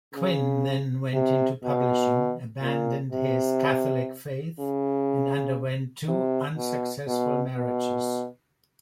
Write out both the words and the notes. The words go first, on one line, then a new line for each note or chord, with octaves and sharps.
Quinn then went into publishing, abandoned his Catholic faith, and underwent two unsuccessful marriages.
C#3
C3
B2
A#2
C3
C#3
C3
B2
B2
B2